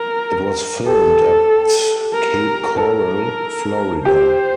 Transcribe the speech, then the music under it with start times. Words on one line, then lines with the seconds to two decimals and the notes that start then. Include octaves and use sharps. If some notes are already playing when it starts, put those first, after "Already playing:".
It was filmed at Cape Coral, Florida.
Already playing: A#4
0.86 G4 A4
2.14 A#4
2.77 A4 A#4
4.05 G4 C5